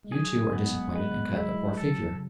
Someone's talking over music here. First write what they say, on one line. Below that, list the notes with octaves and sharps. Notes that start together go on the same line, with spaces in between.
You, too, are disappointed and cut a poor figure.'
G#3
F#3 G#4
F#3
G#3 B3
G#3 B4
F#3
G#3 E4
F#3 A4
C#3